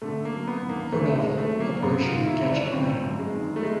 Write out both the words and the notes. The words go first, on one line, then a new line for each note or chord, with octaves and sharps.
Her novel Operation Gadgetman!
D3 A3
A#3
F#3
B3
D#2
A#3
D#2 A3
G#3
D3
A3
F#3
A#3
F#2 B3
F4
D#3
E4
G1
D4
C#4
G1 C4
F#2
G#3
D#3
A3
G#3